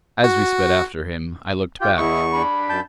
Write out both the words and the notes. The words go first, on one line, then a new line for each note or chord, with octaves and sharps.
As we sped after him I looked back.
F#4
F4 G4 G5
E2 E4 D#5 C#6
D4 B5
F#2 A5 G6